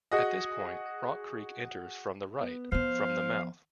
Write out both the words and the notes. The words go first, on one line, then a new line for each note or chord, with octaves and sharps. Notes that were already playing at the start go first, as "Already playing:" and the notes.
At this point, Rock Creek enters from the right from the mouth.
F#4 G#4 D#5
B3
F3 B3 C5 F5